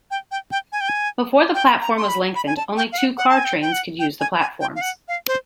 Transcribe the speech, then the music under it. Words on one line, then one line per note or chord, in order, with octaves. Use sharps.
Before the platform was lengthened, only two car trains could use the platforms.
G5
G5
G5
G#5
G5
G#5
G5
A#5
C6
B5
B5
G#5
A5
G5
F5
F#5
F#5
A5
G#5
G5
G5
F#5
G5
G#5
G#5
G5
F5
F#5
F5
C5